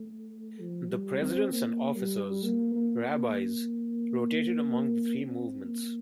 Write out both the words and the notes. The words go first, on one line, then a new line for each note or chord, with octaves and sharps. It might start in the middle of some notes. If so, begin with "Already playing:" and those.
The presidents and officers, rabbis, rotated among the three movements.
Already playing: A3
F3
G3
C4
A#3
G3
A#3
A#3
A#3
C4
A#3